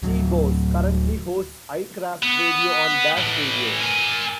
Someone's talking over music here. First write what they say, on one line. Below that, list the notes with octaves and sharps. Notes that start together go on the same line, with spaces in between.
T-Boz currently hosts iCraft Radio on Dash Radio.
D1 F#3
B3
A2 E3
A#4 G#5